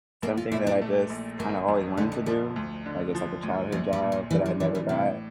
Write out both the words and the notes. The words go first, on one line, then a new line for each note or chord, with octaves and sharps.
something that I just kinda always wanted to do. Like, it's like a childhood job that I never got.
A#1 A#3
F4
A#2 E4
D4
A3
A#1
G1 A#3
F2
D3 A3
G3
F3 G3
D2
D3
F3
D2
A#1 F3
G3
A#2
F3
E3 G3
F3
E3 D4
E3
A2 C3